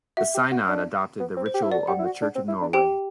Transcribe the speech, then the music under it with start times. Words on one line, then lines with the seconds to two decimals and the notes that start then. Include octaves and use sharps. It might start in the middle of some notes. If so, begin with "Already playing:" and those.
The Synod adopted the ritual of the Church of Norway.
0.17 F#4 E5
0.34 G4
0.51 F#4
0.68 D4
1.19 B3
1.37 C4
1.46 C5
1.54 G4
1.62 E4
1.71 F#4 D5
1.87 G4 F#5
1.99 E4
2.05 F#4
2.22 D4
2.35 C4
2.48 E4
2.61 D4
2.73 C4 G4 G5